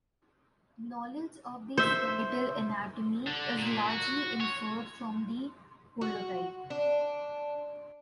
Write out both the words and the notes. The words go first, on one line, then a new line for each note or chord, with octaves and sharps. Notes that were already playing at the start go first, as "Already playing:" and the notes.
Knowledge of the skeletal anatomy is largely inferred from the holotype.
C5 E5
D3
A#2
F#4
C#5
F#4
D4